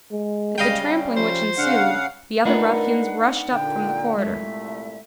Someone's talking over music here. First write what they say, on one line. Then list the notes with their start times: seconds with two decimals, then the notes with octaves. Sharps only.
At the trampling which ensued, the other ruffians rushed up from the corridor.
0.12 G#3
0.58 C#3 G3 D#5 F5 G5
1.17 F3 C5
1.58 C#3 D4 F5 F#5
2.45 A3 D4 D#4 F4 A#4 B4 E5 F#5
3.52 A#2 D3 G5
4.18 C2 A#2 G#3 A3 E5